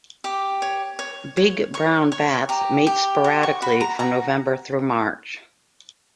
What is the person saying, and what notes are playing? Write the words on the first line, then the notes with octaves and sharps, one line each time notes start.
Big brown bats mate sporadically from November through March.
G4 D6
C#5
C#5
C#5
C#5 C#6
C#5 C#6
G4 A#5
G4
F#4
C#6
F#4 B5
A#5
F#4 A#5